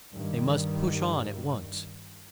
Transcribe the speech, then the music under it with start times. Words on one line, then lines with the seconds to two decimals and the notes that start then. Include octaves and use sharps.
They must push on at once.
0.13 G2 D#3 G3